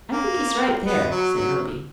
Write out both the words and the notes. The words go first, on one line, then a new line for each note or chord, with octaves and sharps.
"I think he's right there," said Roby.
A#3
B3
F#3
F#3